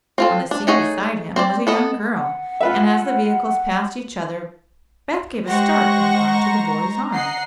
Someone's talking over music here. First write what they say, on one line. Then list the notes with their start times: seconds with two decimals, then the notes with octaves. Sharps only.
On the seat beside him was a young girl, and as the vehicles passed each other Beth gave a start and clung to the boy's arm.
0.18 C4 F4 A4
0.51 D4
0.67 A3 D#4 G#4 C#5 F#5
1.36 C4 C5 D5
1.67 B3 A4 D#5
2.13 F#5
2.61 F4 B4 E5
5.48 G#3 G4 C5 F#5 C#6 A#6
6.21 A#5
7.14 D#5 F#5 C7